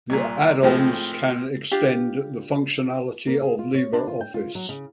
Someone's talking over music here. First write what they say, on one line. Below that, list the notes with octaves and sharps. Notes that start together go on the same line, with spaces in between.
The Add-Ons can extend the functionality of LibreOffice.
C2 A#2
A2 F3 G#3 C4
D4 F4 G4
A#3
G#4
F4
C#5
D4
F4
G5
F4
F#3
C#3